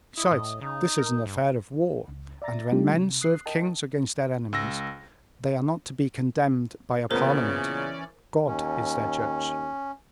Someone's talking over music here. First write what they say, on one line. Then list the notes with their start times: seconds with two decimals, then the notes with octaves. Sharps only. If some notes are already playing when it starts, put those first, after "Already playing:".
Besides, this is an affair of war; and when men serve kings against their enemies they are not to be condemned by a parliament--God is their judge.
0.17 E4 D#5
0.32 A2
0.61 C#3 D#4
0.98 A#4
1.26 G2
2.08 C#2
2.42 D5 E5 A#5 A6 A#6
2.72 G3 A3 D4 D#4 F4 G4
2.92 C3
3.21 D#6 F#6 C7
3.46 A#4 D#5 G5 A5
4.53 C#2 E6 A#6
7.10 A#2 C#3 E3 B3 C#4 A#4 C5 D5
8.48 D#2 C#4